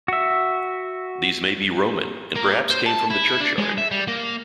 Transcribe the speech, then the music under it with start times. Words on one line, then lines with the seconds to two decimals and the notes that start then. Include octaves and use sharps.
These may be Roman and perhaps came from the churchyard.
0.08 F#4 E5
2.35 A#3
2.70 C5
2.86 A5
3.10 E4
3.40 D4
3.58 G#3
3.78 E5
3.91 G3
4.08 A#3